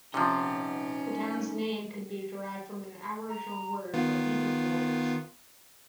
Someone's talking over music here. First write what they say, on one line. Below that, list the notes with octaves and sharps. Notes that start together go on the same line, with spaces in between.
The town's name could be derived from an Aboriginal word for "heap of boulders".
C3 F3 C#4 D#4 F#5
A#5
D#3 B3 F4